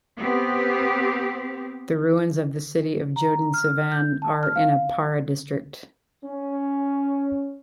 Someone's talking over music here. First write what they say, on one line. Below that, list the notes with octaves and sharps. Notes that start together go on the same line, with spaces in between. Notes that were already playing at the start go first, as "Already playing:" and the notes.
The ruins of the city of Jodensavanne are in Para district.
B3 C4 G4
A#5
F6
G6
A5
F6
F5
C#4